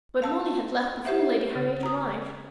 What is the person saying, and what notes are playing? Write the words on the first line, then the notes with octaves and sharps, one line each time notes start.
But Molly had left before Lady Harriet arrived.
F5 A5 E6
G4 C5 E5 F#5
C#3
A#5 D#6